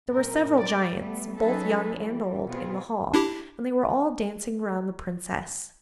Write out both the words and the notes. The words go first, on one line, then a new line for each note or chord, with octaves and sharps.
There were several giants, both young and old, in the hall, and they were all dancing round the princess.
F#2 A#2 A#4 D#5
D5
G3 A3 B3
F#3 C#4 D#4 G#4 A4 B4
E3 G3
B2 B3 C4 F4 G#4
D4 E4 G4